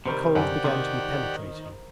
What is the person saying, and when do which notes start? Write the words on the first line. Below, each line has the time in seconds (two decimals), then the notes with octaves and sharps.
The cold began to be penetrating.
0.06 C3 D#3 G3 A#4 C5 B5
0.35 F#2 D3 G4 B4 D5 F#5
0.64 C3 D#3 B3